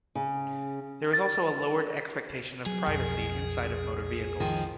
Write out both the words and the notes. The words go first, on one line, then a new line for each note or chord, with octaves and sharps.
There is also a lowered expectation of privacy inside of motor vehicles.
C#3
A6
F#3 G#4
B1 F2 G#4
D#3 F3